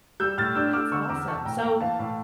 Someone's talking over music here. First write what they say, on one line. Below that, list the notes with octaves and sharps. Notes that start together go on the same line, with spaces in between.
That's awesome. So,
G3 E6 G6
A2 F6 A6
D4 E6 G6
A3 D6 F6
D3 C#6 E6
E2 A#5 D6
E3 A5 C#6
A2 G5 A#5
A#3 G5 A#5
E3 F5 A5
A2